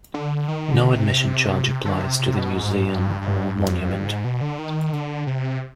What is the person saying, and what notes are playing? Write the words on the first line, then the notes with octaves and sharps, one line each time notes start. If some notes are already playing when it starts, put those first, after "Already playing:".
No admission charge applies to the museum or monument.
D3
D#3
D3
C3
D3
C3
C3
B2
G#2
G2
G2
F2
G2
G#2
B2
D3
D#3
D3
C3